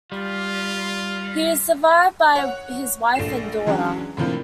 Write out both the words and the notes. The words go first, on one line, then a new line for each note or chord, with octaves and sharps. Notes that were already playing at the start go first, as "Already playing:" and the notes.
He is survived by his wife and daughter.
G3 F4
C#5 F#5
A#1 A3 C7 E7
E3 F#3 G#3 C#4 D4 F#4
A2 C3 F3 A#3 D4